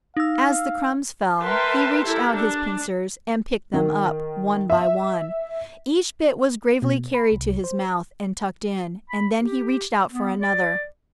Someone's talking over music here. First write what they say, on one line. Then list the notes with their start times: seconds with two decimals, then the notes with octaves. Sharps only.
As the crumbs fell, he reached out his pincers and picked them up, one by one. Each bit was gravely carried to his mouth, and tucked in, and then he reached out for another.
0.17 D#4 F5 E6
1.41 A#4 B4 E5 G5 A5 C6
2.05 E4 G4 A4 A#4
2.34 D4
3.73 D#3
4.70 E5
6.82 B2
7.14 B5
7.32 C2
7.64 C5
9.10 B5
9.38 G4
10.12 B3
10.41 D5